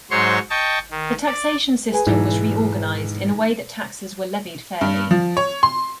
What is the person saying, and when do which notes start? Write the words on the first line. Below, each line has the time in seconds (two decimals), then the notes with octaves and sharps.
The taxation system was reorganized in a way that taxes were levied fairly.
0.11 G#2 F#3 C5 C#5 C6 C#6
0.50 D#5 G5 A5 C#6
0.91 D#3
1.26 D5
1.92 G#4 B4 G#5
2.07 B1 G#2 E3
4.81 G2
5.11 F3
5.37 C#5
5.63 C6